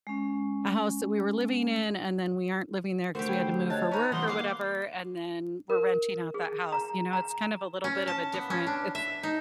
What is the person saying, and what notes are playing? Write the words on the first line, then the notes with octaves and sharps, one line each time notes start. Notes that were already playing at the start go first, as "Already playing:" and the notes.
a house that we were living in and then we aren't living there 'cause we had to move for work or whatever, and then we're renting out that house. You know, it's kind of a little bit of a different it's
G#3 C#4
D3 A3 F#4 G4 A#4 C5
G5 B5 G#6
C#5 D#5 A5 F#6
C#4 D#4 C5 A#5 B5
E3 G3 A#3 F#5 B5 C6 D#6
A#3 F5 F#5 D6 C7
A#4
G#4
A#5
A#5
C#4
A5
B3
C#4
D4
E5
D#4